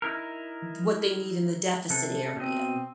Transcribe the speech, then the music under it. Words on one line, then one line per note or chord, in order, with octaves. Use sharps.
what they need in the deficit area.
D#4 E4 A#4
C3 A4
B2 C4 D#5